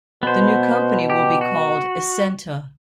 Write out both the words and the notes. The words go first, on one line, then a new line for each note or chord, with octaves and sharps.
The new company will be called Essenta.
B2 B3 C5
G4
F#4